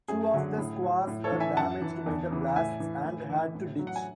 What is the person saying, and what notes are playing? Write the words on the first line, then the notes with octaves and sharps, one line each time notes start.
Two of the Skuas were damaged by the blasts and had to ditch.
F#2 G#4
D3 F#3
A2
F#3
A2
A4 C#5
E3
E5 G#5
F#2 F#5 A5
E3
E2
C#3 E3
A2 E5 G#5
E3
A2
E3
A2
F#3
F#5
G#5